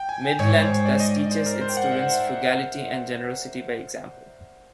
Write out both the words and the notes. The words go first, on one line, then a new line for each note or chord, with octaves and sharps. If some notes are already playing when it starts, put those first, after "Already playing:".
Midland thus teaches its students frugality and generosity by example.
Already playing: G5
G#5
G5
G#2 C#5
C5
C#5
D5
D#5
D5
C5
A#4
C5
G5
F#5
E5
C5